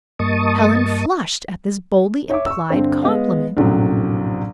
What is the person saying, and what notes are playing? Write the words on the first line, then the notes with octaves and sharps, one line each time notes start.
Helen flushed at this boldly implied compliment.
G2 A#3 D#5 A5 C#6 D#6
C#5 E5 D6
C#6 E6
G2 D3 C4
G#3 B3 D#5 F5
A#1 F#2 A2 C3 F#3